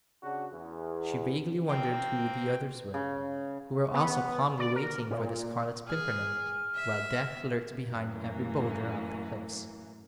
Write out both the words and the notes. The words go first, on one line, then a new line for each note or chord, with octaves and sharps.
She vaguely wondered who the others were, who were also calmly waiting for the Scarlet Pimpernel, while death lurked behind every boulder of the cliffs.
C#3 D4 F#4
E2
A#3 C4 G5
C#3
B3
D5
A#4
A#2
G#4 F6
E5
F#2 A2 E3 A#3